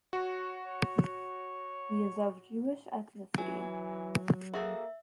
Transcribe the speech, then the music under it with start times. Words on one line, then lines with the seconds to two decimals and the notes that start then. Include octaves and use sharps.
He is of Jewish ethnicity.
0.13 F#4 C#5
0.65 C#5
3.38 E3 F#3 G#5
4.54 A#3 F#4 G#4 A4 E5